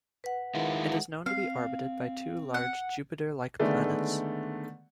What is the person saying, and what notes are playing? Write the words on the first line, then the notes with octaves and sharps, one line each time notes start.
It is known to be orbited by two large Jupiter-like planets.
B4 F#5
D#3 G#3 E4 F4
C4 F5
F#5
D3 D#3 G#3 A3 B3 D5